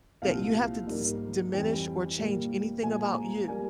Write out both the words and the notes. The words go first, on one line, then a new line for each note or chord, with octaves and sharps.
that you have to dis diminish or change anything about you,
C2 A#2 F3 F5
G#2 G3 A#3
F2 E3 G3 G5
A#2 G3 A#3
A#2 F3 G#3 G#5
A#5
G3 A#3 G#5